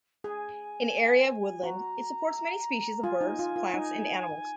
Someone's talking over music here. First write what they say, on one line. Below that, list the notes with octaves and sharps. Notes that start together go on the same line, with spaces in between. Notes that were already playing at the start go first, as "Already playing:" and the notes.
An area of woodland, it supports many species of birds, plants, and animals.
G#4 G#5
F#4 A#5
F4 G#5
D#4
F4
F4
D#4